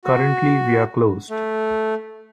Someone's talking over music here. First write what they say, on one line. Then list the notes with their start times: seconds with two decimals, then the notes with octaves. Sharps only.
Currently we are closed.
0.04 F#4
1.30 A3